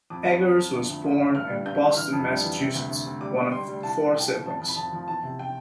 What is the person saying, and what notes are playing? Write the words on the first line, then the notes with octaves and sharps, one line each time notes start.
Eggers was born in Boston, Massachusetts, one of four siblings.
F2 D6
F2
F2
F2
D2
D2
D2
D2
G2 F6
G3
G2 G6
D3
E3 F6
F2
G3
E3
C3
D2
D2
D2
G3 D6
G3
G3 C6
G3
C2 A5
C2
C2 G5
C2
F2 A5
F2
B5
F2 A5
F3
E2 A5
C3
G5